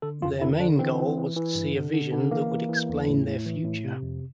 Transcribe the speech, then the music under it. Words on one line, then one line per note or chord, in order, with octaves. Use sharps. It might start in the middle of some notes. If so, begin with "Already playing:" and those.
Their main goal was to see a vision that would explain their future.
D3 A4
F2 F4
D3 E4
D3 D4
E3 C4
E3
E3
E3
G2
D3
D3
D3
E3 A#3
E3
E3
E2
A2
A2
E3
A2
C3
F2